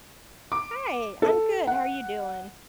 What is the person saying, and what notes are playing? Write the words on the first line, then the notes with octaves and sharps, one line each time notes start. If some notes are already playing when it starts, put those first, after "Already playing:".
Hi. I'm good. How are you doing?
D6
A4
F#5